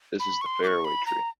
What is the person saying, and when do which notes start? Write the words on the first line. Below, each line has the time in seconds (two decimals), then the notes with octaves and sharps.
This is the Faraway Tree.
0.20 B5
0.41 C#6
0.46 C6
0.64 D6
0.67 C#6
0.85 B5
1.06 A#5